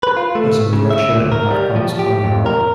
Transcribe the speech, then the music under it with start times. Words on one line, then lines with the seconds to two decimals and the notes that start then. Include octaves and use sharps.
Person with red shirt and black pants climbing a rock.
0.03 B4
0.17 F4
0.35 A3
0.73 C#3
0.90 E5
1.12 D2
1.32 A#4
1.51 G3
1.76 F3
1.99 G4
2.24 F2
2.46 A#4